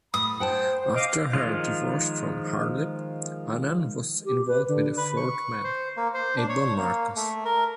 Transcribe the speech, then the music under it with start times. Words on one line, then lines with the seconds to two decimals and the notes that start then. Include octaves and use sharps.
After her divorce from Harlib, Annan was involved with a fourth man, Able Marcus.
0.14 A2 B5 D#6
0.40 C5 F#5 G5 A5
0.95 D#5 F5 D6
1.33 D#3 F3 G#3 F4
4.25 G4
4.47 B4
4.68 D3
4.97 B4
5.17 C#6
5.64 C5
5.97 A#3
6.14 C5
6.37 D4
6.49 C#5
6.78 A#3
7.16 A3
7.45 A#4